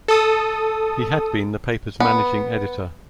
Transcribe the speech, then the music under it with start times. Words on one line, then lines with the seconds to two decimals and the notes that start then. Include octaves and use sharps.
He had been the paper's managing editor.
0.08 A4 D#6
2.00 B3